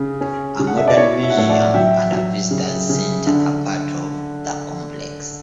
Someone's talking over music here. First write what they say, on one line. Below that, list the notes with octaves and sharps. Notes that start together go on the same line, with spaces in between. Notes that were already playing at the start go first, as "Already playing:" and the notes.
A modern museum and a visitors center are part of the complex.
Already playing: C#3
C#4
C#3
F#5
E5
D5
E4 C#5
E5
F#5
A2 C#5 E5
D5 F#5
F#3 E5 G5
F#3
C#3
C#3
D3